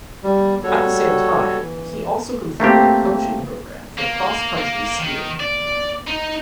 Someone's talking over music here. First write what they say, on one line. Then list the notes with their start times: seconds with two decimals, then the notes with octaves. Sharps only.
At the same time, he also completed a coaching program for cross-country skiing.
0.24 G3
0.63 G3 F#4 A4 C#5
1.58 E3
2.60 A3 A#3 C4 G4
3.98 A#3
4.57 A#3
4.99 D#3
5.40 D5
6.07 D#4